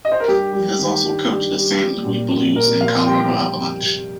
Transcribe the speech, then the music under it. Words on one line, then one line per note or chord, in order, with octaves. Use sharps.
He has also coached the Saint Louis Blues and Colorado Avalanche.
D#5
C5
A#4
G2 G4
G3
D#3
G2
G2
G3
G3
A#2
A#2
A#2 A#4
A#2 F5
G3 G5
F3
F2
C3